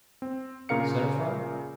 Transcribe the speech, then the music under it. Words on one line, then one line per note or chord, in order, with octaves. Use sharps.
"Centre fire?"
C4
A#2 C#3 A#4 F5 C#7